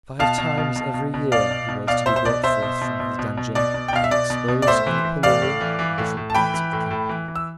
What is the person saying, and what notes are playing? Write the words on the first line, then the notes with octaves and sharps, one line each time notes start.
Five times every year he was to be brought forth from his dungeon and exposed on the pillory in different parts of the capital.
B2 F5 A5
B2
B2
B2
B2
B2
B2 D5 F5
B2
B2
B2 D5 F5
B2 C5 E5
C5
B2 D5
B2 C5 E5
B2
B2
B2
B2
B2
B2 D5
B2
G5
B2 F5
E5
B2 D5
B2
B2
D5
A2 C5 E5
E3
E3
A2 D5 F5
A2
E3
E3
A2
A2
A5
E3 G5 B5
E3
A2
A2
E3
E3
E6